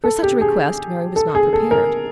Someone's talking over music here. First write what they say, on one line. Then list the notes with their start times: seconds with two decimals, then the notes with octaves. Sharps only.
For such a request Mary was not prepared.
0.04 A4
0.23 G4
0.41 G#4
1.16 A4
1.35 G#4
1.53 A4
1.71 A#4